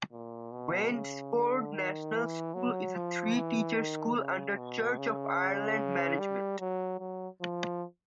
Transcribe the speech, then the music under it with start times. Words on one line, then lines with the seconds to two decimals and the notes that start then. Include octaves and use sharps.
Wandesforde National School is a three-teacher school, under Church of Ireland management.
0.12 A#2
0.52 B2
0.92 C#3
1.33 D3
1.73 D#3
2.15 E3
2.54 F#3
2.95 F3
3.35 E3
3.76 D#3
4.17 C#3
4.58 B2
4.98 C#3
6.19 G3
6.59 F#3
6.99 F#3
7.41 F3